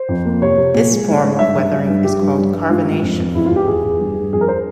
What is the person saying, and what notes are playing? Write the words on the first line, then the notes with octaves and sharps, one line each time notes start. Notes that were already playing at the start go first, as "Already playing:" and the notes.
This form of weathering is called carbonation.
Already playing: C5
F2
A#3
C3 C#5
C3
A#2
G#3
G#2
G#2
G2 E5
G2
G2
G2
G2 G4
G2
G2
G2
G#2 F4
G#2
F2
F2
E2 E4
F4
E2
G4
E2 G#4
E2
G2
G2
F2 G#4
A#4
C5